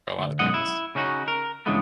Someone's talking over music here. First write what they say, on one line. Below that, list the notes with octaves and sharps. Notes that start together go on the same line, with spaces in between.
A lotta things.
D2
B1 F#2 G#3 D#5 F#5
E4
C#3 C#4 D#4 F#4
A#4
G2 C#3 E3 G#3 A3 B3